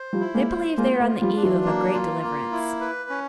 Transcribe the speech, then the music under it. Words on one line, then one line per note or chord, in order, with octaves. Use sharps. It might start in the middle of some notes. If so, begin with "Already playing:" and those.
They believe they are on the eve of a great deliverance.
Already playing: C5
F3 G3
E4
G#3 A#3
C5
G#3 A#3 F4
A3 B3
F4
F3 G3
D4
E3 F#3
A#3
F4
A#3
E4
B4
C#4